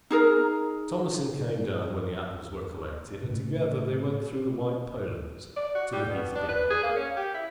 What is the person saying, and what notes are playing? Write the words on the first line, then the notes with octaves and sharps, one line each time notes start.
Thomasin came down when the apples were collected, and together they went through the white palings to the heath beyond.
D#4 G#4 A#4
A2 C#3 A3
D5
F#4
G3
B2
D4
B4
G#4
A#3
C#4
G4
E4